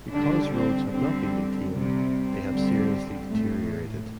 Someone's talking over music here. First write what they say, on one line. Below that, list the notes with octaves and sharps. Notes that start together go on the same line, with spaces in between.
Because roads have not been maintained, they have seriously deteriorated.
D3 G3 D4
C4
D3 G3 C4
C3 G3
C4
D3 G3
A2 A3